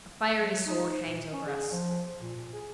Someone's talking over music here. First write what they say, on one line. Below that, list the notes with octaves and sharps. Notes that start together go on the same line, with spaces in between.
A fiery sword hangs over us.
F#3
D#4
A#2
C#4
G#4
F3
A#2
A#2
G#4